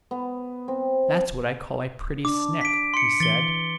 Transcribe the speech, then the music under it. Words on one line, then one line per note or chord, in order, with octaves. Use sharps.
"That's what I call a pretty snick," he said.
B3
C4
D4 D6
B6 D7
C6 C#7
E3 A6 G7